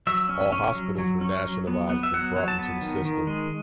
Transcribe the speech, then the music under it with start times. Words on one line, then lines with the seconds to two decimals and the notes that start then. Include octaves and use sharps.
All hospitals were nationalized and brought into the system.
0.07 F#3 E5
0.29 C#4
0.52 C#4
0.75 F#3
0.98 F#3
1.21 C#4
1.45 F#3
1.67 B3
1.89 B3
2.03 E5
2.14 F#3 F#5
2.36 F#3
2.48 A5
2.59 B3
2.81 D#3
3.05 D#3
3.27 G#3